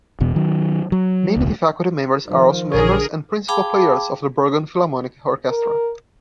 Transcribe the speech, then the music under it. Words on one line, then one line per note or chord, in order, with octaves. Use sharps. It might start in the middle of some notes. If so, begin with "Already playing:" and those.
Many faculty members are also members and principal players of the Bergen Philharmonic Orchestra.
E1 E2 B2
D#3 F#3
F#3
E1 C#2
D#3 F3
A#1 D3 G#4 A#4 C#5
G#4 F5 G5 A5 B5 D6
A#4